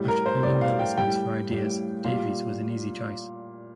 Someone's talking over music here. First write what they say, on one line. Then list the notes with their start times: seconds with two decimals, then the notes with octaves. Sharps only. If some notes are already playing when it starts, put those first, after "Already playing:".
After polling their listeners for ideas, Davis was an easy choice.
Already playing: A2 G3
0.08 A#4
0.26 C5
0.43 A2 G3 D5
0.61 F5
0.79 G5
0.97 A2 G3 G5
1.51 A2 G3
2.04 A#2 G3 F5